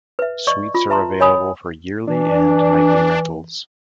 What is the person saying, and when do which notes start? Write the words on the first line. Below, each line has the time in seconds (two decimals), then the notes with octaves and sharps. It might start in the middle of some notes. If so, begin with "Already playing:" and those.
Suites are available for yearly and nightly rentals.
0.19 B4 E5
0.47 D5 D#5 C#6
0.75 F4
0.90 B4 E5 A5 A#5 C6
1.20 C#5 D#5 G#5 B5 D#6
2.07 E3 D4